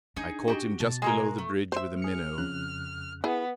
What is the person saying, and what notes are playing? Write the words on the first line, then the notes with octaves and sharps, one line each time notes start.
I caught him just below the bridge with a minnow.
D4 D#4 G#4
F#4 G4
B2 A5
G#3 F#4 A#4 G#5
A3
C5 E5
G#4 F6 C#7
F2 C#3 F#6
B3 E4 G#4